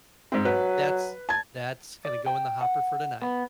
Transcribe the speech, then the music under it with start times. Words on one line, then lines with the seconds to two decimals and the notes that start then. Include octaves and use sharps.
"That's that's gonna go in the hopper for tonight."
0.32 G#2 C4
0.45 F#3 B4
1.29 A5 G#6
2.05 D5
2.26 G5
2.61 F#5
3.22 B3